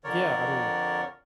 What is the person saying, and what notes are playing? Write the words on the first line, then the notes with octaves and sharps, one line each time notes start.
Yeah, I mean,
F2 D3 A#4 C#5 D5